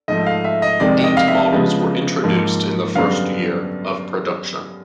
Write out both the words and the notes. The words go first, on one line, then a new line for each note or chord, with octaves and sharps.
Eight models were introduced in the first year of production.
G#2 F3 A3 D#5
F5
E5
D#5
F2 C3 D#3 G#3 D5
D#5
F5
E5
C#3 F3 G#3 B3
G#2 F3 A#3
F#2 D3 G3 B3 F5